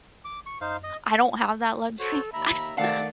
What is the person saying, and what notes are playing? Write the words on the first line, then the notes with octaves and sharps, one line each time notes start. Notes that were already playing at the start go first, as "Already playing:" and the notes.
I I don't have that luxury. I sta
G#1 D6
C#6
F#2 D#4 C5 F5
D#5
F#4 A4 C5 C#5
D#2 E5 A#5 B5
C3 D#3 A3 C4 D5 F5 F#5 A5